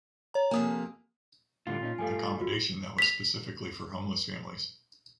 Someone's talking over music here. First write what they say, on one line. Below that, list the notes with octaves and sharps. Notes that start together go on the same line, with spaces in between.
Accommodation that was specifically for homeless families.
C#5 A#5
F2 C3 A#3 G#5 D#6
A2 D3 G3 F4
A#2 C#4 D#4
G2 G3 A3 A4 G#5
F4 F#4
B6 F7